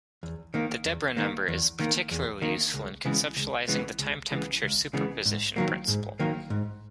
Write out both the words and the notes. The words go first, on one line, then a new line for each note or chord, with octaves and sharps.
The Deborah Number is particularly useful in conceptualizing the time-temperature superposition principle.
E2
D#3 A#3
E2
D#3 A#3
E2
D#3 A#3
E2
D#3 A#3
C#2
C#3 E3 G#3 B3
C#2
C#3 E3 G#3 B3
C#2
C#3 E3 G#3 B3
C#2
C#3 E3 G#3 B3
G#2
D#3 F#3 A#3
G#2
D#3 F#3 A#3
G#2